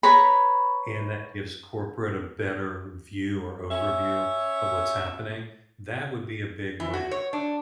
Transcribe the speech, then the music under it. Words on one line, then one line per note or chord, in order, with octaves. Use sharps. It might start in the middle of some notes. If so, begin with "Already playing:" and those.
and that gives corporate a better view or overview of what's happening, that would be a big win.
B4 C#5 A#5 B5
C#4 E5
E3
F#4
C#5
D4